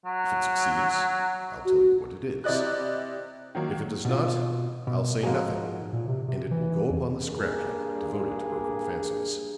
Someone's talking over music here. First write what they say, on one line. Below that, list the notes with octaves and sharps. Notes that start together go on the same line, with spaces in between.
If it succeeds, I'll tell you what it is; if it does not, I'll say nothing, and it will go upon the scrap heap devoted to broken fancies.
F#3
F#4
C3 E4 D5 D#5 F#6
D#3 F#3 A#3
B2 F4
B2
G#2 F3 G#3 A#3 F#4 G#4
A#2
C3
C3
E3
F2
G2 A#3 G#4